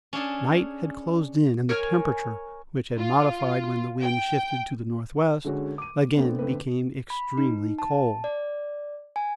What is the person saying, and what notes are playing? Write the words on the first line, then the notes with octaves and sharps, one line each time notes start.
Night had closed in, and the temperature, which had modified when the wind shifted to the northwest, again became extremely cold.
C#4 D4 G#4 A4
A#4 C#5 G#5 F6
F4
G5
D3 G#3 C#4 F#4
D6 D#7
A3 B3 C4 D4
D3 A3 C4 B4
B5
D#4
A5
D5
G#5